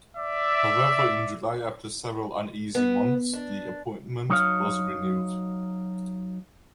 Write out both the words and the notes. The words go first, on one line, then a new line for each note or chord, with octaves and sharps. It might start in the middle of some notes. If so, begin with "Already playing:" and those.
However, in July after several uneasy months the appointment was renewed.
D5 E5
B3
D4
F#3 D#4 C#5 F5